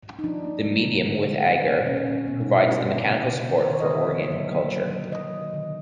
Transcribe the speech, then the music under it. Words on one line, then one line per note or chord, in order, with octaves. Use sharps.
The medium with agar provides the mechanical support for organ culture.
D#4
F3 D4
A#3
G3
D3
D3
F#3
A#3
A#3
A#2 C#4
C#4
A#2 C#4
C4
B2 B3
D#4
G#3
E4
A#3 F#4
D3
C#3
C#3
D#3 A#4
C5
D#3 C#5
D#5
D3 E5
D3
D#5
F#3 E5
A#3
F#3
F#3
F#3 D#5
D#3
D3